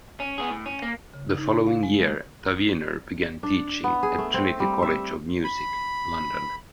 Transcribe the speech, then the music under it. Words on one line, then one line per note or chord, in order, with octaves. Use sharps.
The following year Tavener began teaching at Trinity College of Music, London.
C#4
B3 G#4
A2
C#4
A#3
C#3
D#4
F5
G#3
D4
B3
G#4
A3
C4
G3
E5
B5